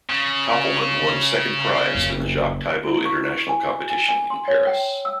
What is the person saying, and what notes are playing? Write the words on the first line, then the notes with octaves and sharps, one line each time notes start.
Kopelman won second prize in the Jacques Thibaud International Competition in Paris.
C#3
F#1 F2
E4
C#6
G#5
G#5
G#5
C6
C#5
G5
E6